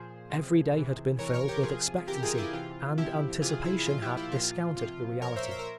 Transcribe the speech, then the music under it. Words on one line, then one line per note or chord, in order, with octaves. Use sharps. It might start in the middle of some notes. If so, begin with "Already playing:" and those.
Every day had been filled with expectancy, and anticipation had discounted the reality.
Already playing: A#2 F3 G#4 C5
C3 F3
C3 E3
C3 E3 A#4 C#5
A#4 C#5
G4 A#4
C3 F3 F4 G#4
C3 E3 G4 A#4
F4 G#4
E4 G4
C3 E3 F4
C3 F3 E4 G4
C3 E3 F4 G#4
E4
A#2 F3 F4
E4 G4
E4 G4
A#2 F3 F4
C3 F3 F4
A#2 F3 A#4 C#5
C5 E5
C5 E5
A#4